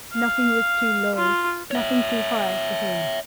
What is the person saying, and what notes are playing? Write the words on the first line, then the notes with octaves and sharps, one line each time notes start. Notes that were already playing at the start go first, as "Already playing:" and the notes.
Nothing was too low, nothing too high for him.
F5
F4
C#5 E5